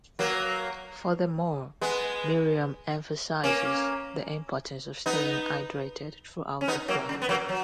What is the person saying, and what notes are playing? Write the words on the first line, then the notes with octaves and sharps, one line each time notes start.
Furthermore, Miriam emphasizes the importance of staying hydrated throughout the flight.
F#3 A#3
G#3 B3
A#3 C#4
B3 D#4
C#4
B3 D#4
F#3 A#3
C#3
B3
F#3 A#3
F#3